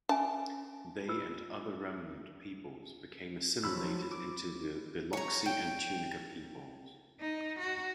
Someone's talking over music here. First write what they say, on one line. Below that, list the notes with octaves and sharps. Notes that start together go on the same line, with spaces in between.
They and other remnant peoples became assimilated into the Biloxi and Tunica peoples.
C#4 E5 G#5 A5
F4 B4 E6
F3 F#3 B5 E6
D6
C#5 A#5
G5
D#4
F#4